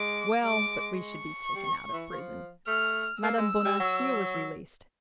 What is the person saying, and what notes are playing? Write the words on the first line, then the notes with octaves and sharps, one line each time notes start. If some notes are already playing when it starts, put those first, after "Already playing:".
Well, but we should be taken out of prison; Madame Bonacieux was released.
Already playing: G#3 D6
G#3 D6
C#6
G3
E3
F3
A3 F6
A#3 E6
G#3
G3
F#3